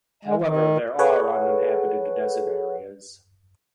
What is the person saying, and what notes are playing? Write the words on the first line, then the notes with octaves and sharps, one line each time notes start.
However, there are uninhabited desert areas.
G#3
D#3
G#4 A4 B4 C#5 F#5